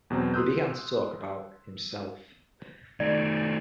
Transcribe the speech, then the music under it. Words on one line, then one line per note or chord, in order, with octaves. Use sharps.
He began to talk about himself.
E2 B2 F#3 C4 A#5
C6 D#6 E6 F#6 G6
D#3 A3 D5